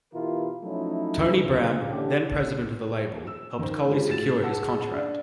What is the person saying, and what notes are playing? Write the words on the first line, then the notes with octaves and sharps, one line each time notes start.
Tony Brown, then-president of the label, helped Collie secure his contract.
B2 E3 E4 F4 G4 A#4
F3 F#3 A3 C#4 D#4 E4
C#2 D3
D3 E3 C#4 D4 G4
E6
D#3 C5
G#3 F4 G4 G#4 C5
A2 F#4 A6 E7
G#4 F#5 A5 E6
D4 D5